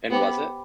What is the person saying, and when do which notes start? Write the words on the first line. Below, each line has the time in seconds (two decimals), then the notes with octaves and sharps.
and was it?
0.10 B3 G4 C5 G5 B5 D6